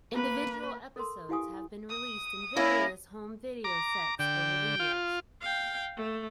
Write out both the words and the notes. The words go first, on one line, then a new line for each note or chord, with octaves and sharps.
Individual episodes have been released in various home video sets over the years.
A#3 B4
A4 A#4 C6
E4 G4 F5 G#5 D#6
D#6
A#3 C#4 E4 A#6
A#5 D6
D3 G5
F4
F5 G5
A3